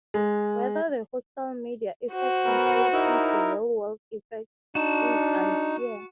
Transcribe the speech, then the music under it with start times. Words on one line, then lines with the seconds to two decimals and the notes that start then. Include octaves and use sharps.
Whether the hostile media effect translates into real-world effects is unclear.
0.14 G#3
2.12 F#4 C5
2.45 B3 A#4
2.93 D#4 E4 A#4
4.75 D4 D#4 F#4 A5